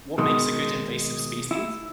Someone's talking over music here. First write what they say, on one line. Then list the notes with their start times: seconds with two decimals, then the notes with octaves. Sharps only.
What makes a good invasive species?
0.18 B2 D#3 G#3
1.51 E4